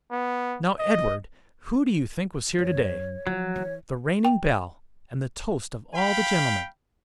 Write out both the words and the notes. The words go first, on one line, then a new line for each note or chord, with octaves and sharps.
"Now, Edward, who do you think was here to-day--the reigning belle, and the toast of all the gentlemen?"
B3
D#5
F#2 C#5
F3 F#3
E3 C#5
G5
F5 G5 B5